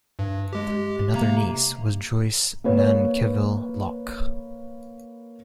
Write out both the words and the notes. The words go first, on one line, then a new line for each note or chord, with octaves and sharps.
Another niece was Joice NanKivell Loch.
G2
G#3 G4
C3 A#3 A#5
A#3 B4 C#5